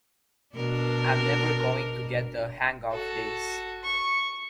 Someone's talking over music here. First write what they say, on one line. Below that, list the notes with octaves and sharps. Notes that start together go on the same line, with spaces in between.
I’m never going to get the hang of this.
B2 D4 A#4
F#4 A4
C#6